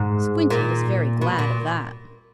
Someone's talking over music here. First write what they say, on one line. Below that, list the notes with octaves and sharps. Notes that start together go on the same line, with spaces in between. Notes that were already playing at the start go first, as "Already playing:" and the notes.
Squinty was very glad of that.
Already playing: G#2
A#2
B2
A#2